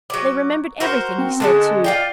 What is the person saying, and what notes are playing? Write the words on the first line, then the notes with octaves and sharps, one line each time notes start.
They remembered everything he said, too.
F#3 D5
F#4 A#4 C5
C4
D3 G#3 C#4 A5
F4 D5 F5 G5